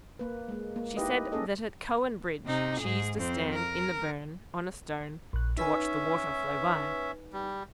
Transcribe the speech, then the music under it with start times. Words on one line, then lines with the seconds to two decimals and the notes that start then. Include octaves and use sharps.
She said that at Cowan Bridge she used to stand in the burn, on a stone, to watch the water flow by.
0.19 A#3 B4
0.48 G#3 A#3
0.76 A#3
0.97 D#4 E4 G4 B4 D#5
1.32 A#3 C#4 G#4 A4 D#5
2.46 C3 D#4
2.81 G#2 G#4
3.17 F2 C4
3.55 A#4
5.33 A#1 F#6
5.57 C#4 D#4 B4 E5 G#5
7.33 G3